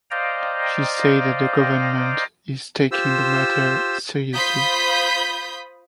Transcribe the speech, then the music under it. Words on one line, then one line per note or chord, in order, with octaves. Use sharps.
She said that the government is taking the matter seriously.
C5 D5 D#5 F5 G5 A#5
F4 G4 C5 E6
F4 C5 B5 D#6 G6 B6